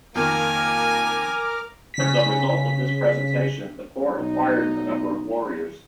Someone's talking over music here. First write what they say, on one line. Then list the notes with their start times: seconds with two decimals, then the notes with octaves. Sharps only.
As a result of this presentation the Corps acquired a number of Warriors.
0.15 F2 D#3 A#3 A#4 G#5 D6 F6
1.94 C#3 B6
4.14 B1 D#4